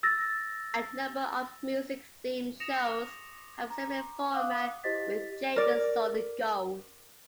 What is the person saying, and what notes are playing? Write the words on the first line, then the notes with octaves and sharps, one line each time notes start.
A number of music themed shows have a similar format with Jade Solid Gold.
E6 A6 A#6
D#6 A#6 C#7 E7 F7
A#5
F5 F#5 D6 D#6 F#6
E4 G4 C5 D#5 A6 B6
A#4 D5